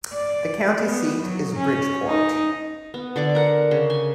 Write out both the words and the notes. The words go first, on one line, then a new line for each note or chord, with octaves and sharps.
The county seat is Bridgeport.
D5
B3
F#3
C#4
D#4
B3
D3 D5 D6
A#4 F#5
C#3
G#5